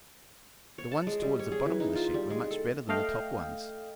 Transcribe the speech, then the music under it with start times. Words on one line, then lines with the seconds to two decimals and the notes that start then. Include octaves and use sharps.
The ones toward the bottom of the sheet were much better than the top ones.
0.78 C#5
0.92 A5
1.07 G#3
1.22 G3
1.39 C#5
1.52 G#4
1.66 E3
1.80 D#4
1.95 F4
2.14 G3
2.30 G#3
2.51 A4
2.89 A3 D#5 F5 G5